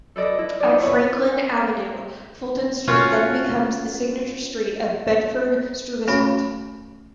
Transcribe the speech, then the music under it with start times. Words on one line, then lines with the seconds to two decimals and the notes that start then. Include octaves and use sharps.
At Franklin Avenue, Fulton Street then becomes the signature street of Bedford-Stuyvesant.
0.16 A4 B4 D5 D#5
0.39 E4
0.60 D#4 D5
0.82 E4 G#4 B4 C#5
2.88 C#4 F4 F#4
6.08 A3 C#4 F#4 C#5 B5